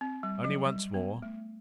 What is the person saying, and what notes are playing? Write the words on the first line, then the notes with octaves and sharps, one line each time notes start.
"Only once more."
C4
G3
F#3
G3
B3
A3